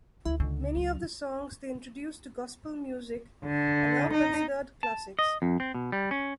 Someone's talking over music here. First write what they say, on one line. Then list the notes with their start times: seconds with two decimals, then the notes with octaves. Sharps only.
Many of the songs they introduced to gospel music are now considered classics.
0.25 D2 E4
0.40 C#2 D3
0.76 F#3
3.45 D3
4.13 D#4
4.83 A5
5.19 D#5
5.42 F2
5.60 C4
5.74 B2
5.92 G3
6.11 C#4